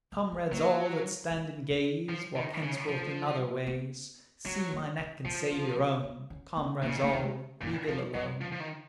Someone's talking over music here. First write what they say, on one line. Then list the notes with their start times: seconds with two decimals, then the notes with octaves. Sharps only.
"Comrades all, that stand and gaze, Walk henceforth in other ways; See my neck and save your own: Comrades all, leave ill alone."
0.12 F#3
0.32 G#3
0.51 F#3 A#3
1.31 G#3
1.70 F#3
2.09 F3
2.36 D#3
2.63 C#3
2.88 F3
3.67 B3
4.46 F#3 B3
4.72 A#3
4.99 G#3
5.25 F3 B3
5.51 B3
5.77 B3
6.04 B3
6.30 C#4
6.57 B3
6.83 D#3 A#3
6.90 C#3
6.97 D#3
7.02 A#3
7.14 F#3
7.22 G#3
7.61 F#2 A#2
7.88 F2 F3
8.14 F#2 F#3
8.41 F3
8.52 F3
8.60 D#3